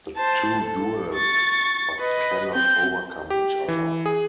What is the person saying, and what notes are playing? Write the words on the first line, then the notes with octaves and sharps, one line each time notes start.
The two duel but cannot overcome each other.
C5 A5
A4
C#6 A6
B4 D#5
C4 G6
G4
E3
G#4